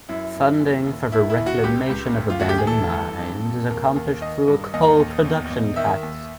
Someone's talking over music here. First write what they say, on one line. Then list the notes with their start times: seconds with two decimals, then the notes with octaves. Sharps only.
Funding for the reclamation of abandoned mines is accomplished through a coal production tax.
0.09 F#2 E4
0.35 F#2
0.60 D#2
0.86 D#2
1.12 D#3 E4
1.30 E4
1.38 D#2
1.46 F#4
1.63 C#2 G4
1.89 C#2
2.16 D2
2.30 F4
2.40 D2 F#4
2.49 G4
2.58 G#4
2.67 E3 A4
2.92 G2
3.19 F2
3.45 F2
3.70 D#2 A#4
3.96 D#2
4.21 D#3 D#5
4.48 G2
4.74 D#2 D#5
5.00 D#2
5.24 E2
5.50 E2
5.76 D#3 E5
6.03 D#2